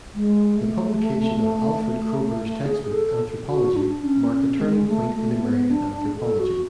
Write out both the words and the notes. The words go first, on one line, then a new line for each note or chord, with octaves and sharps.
The publication of Alfred Kroeber's textbook, "Anthropology," marked a turning point in American anthropology.
G#3
A3
G#4
A4
F#4
D4
C#4
C#4
G#3
A3
A3
B3
D4
A4
F#4